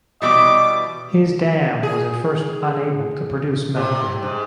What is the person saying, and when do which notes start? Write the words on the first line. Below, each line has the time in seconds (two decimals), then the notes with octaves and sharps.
His dam was at first unable to produce milk for him.
0.22 B2 E3 G3 D#5 D6
1.83 G#4
3.76 C3
4.22 G#2